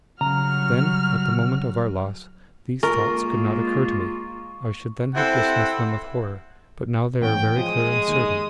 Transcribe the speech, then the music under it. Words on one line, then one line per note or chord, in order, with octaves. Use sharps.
Then, at the moment of our loss, these thoughts could not occur to me; I should then have dismissed them with horror, but now they are very clear and certain.
C#3 F#3 G3 F#4 A#5 F6
G#3 A#3 F4 A#4 C#6
C3 C4 E4 A4 F#5
A1 B3 C#5 G5
F3 G#3 G5 D#6
D#2